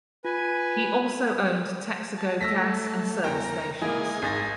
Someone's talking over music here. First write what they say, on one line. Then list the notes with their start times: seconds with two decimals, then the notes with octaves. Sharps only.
He also owned Texaco gas and service stations.
0.25 F4 B4 G#5
2.18 A5
2.41 A3 E6 A#6 B6
3.24 E2 A#4 G5
3.82 E3 G#3 A#3 D#5 G#5
4.22 G#1 A6 A#6